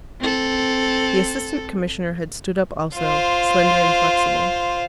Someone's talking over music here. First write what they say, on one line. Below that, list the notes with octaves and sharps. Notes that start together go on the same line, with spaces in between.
The Assistant Commissioner had stood up also, slender and flexible.
C4 A4
F4 C5